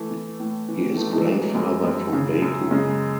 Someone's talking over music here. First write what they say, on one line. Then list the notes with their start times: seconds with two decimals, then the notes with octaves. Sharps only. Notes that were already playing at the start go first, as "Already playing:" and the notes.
He is grandfather from Baku.
Already playing: E3 A3
0.11 E3
0.40 A2
0.69 E3
0.97 E3 A3
1.12 G#3
1.26 E3 F#3
1.41 F#3
1.54 F#2 G#3
1.84 F#2
2.13 C#3
2.42 F#2
2.71 C#3 G#3